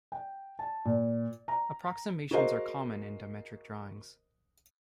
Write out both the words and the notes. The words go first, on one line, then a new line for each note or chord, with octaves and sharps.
Approximations are common in dimetric drawings.
G5
A5
A#2
A#5
F#4 G#4 A#4 C5 D#5 F5